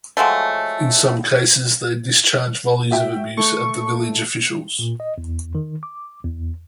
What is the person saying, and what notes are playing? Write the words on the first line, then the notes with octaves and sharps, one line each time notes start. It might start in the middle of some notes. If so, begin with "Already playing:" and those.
In some cases they discharge volleys of abuse at the village officials.
F3 F#3 G#3 A3
F#4 E5 G5
A3 C#6
A#2
D#5
E2
D#3
D6
E2